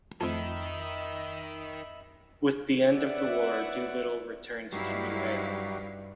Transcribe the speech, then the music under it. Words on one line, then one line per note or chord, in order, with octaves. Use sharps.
With the end of the war Doolittle returned to New Haven.
F2 D#3 F3 A3 C4 D#5 E5 B5
B4 C#5 D5 E5 F#5
G2 F#3 G3 D#4 E4 F5